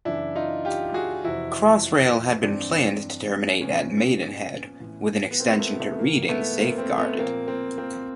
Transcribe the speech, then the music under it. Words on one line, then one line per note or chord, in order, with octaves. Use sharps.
Crossrail had been planned to terminate at Maidenhead, with an extension to Reading safeguarded.
F#2 C#3 E3 D4 E4
D#4 F4
F4 G4
F#4 G#4
F2 C3 E3 E4 F#4
G2 E3 C4 D4
A#2 F3 B3 C#4
A2 E3
B3
A#3 C4
A3 B3
A3
G#2 E3 A#3
A3 B3
A#3 C4
A#3 C4
A3 B3
A#2 F3 A#3 C4
A#3 C4
A#3 C4